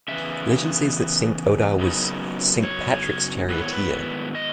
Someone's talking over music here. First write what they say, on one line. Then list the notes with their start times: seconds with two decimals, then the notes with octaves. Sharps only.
Legend says that Saint Odhar was Saint Patrick's charioteer.
0.08 C#3 E3 B3 E5
1.79 F#2 C#3 F#3 B3 D#4
2.64 C#5
3.49 G#2 D#3 F#3 B3 E4 B4
3.62 C#5
3.73 B4
4.35 D#5